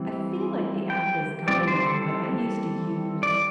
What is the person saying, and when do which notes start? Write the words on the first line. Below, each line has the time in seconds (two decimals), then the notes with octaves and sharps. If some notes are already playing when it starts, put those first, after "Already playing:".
I feel like the app is gone now, but I used to use
Already playing: E3 G3 C4
0.90 G5
1.48 E3 G3 C4 D5
1.68 C5
1.87 A4
3.23 D5